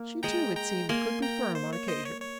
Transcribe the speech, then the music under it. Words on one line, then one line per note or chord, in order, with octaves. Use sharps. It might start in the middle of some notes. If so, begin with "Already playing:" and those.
She, too, it seemed, could be firm, on occasion.
Already playing: A#3
G#3 G5 A#5
G5 A#5
A#3 G#5 C6
G5 A#5
C5
C#5
C5 D#5
C#5
C#5